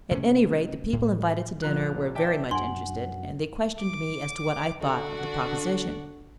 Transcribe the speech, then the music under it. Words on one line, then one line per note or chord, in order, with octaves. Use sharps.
At any rate the people invited to dinner were very much interested, and they questioned me as to what I thought of the proposition.
C3 A3 B3 C#4
A2
A#1 F4 A#5 F#6
D5 E5 G5 A5
F#2 D4 F#5 G#5 C6
D6
D3 D4 F#4